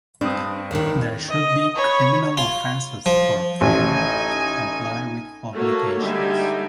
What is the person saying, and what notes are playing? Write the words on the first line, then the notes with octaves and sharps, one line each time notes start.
There should be criminal offences for failure to comply with obligations.
G2 C4 D4 D#6
D#2 D#3
D#5
C#5 B5
F4
F3
A1 D#4 G#5
A3 A#3 F#4 A4 C#5
D3 G3 G#3 D#4 E5 G#5